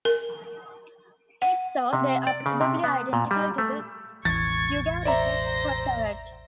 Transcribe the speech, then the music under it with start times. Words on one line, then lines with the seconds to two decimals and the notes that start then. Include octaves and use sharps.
If so, they are probably identical to the Ugaritic Kotharat.
0.05 A#4
1.42 F#5
1.93 C3
2.27 D5
2.46 C#3
2.61 C3
2.84 B3
3.13 A#2
3.31 G3
3.58 A3
4.25 E1 A1 E3 C#6 G#6 A6
5.05 C5 D5 E5 A#5 A#6